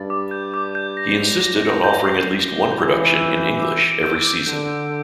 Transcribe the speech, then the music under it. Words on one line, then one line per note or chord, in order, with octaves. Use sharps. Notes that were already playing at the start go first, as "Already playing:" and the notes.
He insisted on offering at least one production in English every season.
Already playing: G2 A6
D6
G6
D6
G6
A#6
F7
A#6
A#6
G6
C7
G6
G7
E3 G6
G6
E6
G6
D6
D7
G6
D6
D3 G6
G6